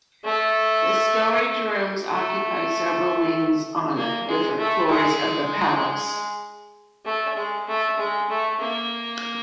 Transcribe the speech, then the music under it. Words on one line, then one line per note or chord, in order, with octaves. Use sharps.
The storage rooms occupy several wings on different floors of the Palace.
A3
A3
A#3
G#3
A3
G#3
A3
G#3
A3
G#3
A3
A#3